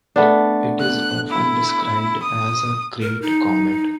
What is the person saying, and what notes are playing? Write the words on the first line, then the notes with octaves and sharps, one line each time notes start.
It is often described as a "great comet".
A3 B3 D4
F#6
E4
D#6
A#4
D#4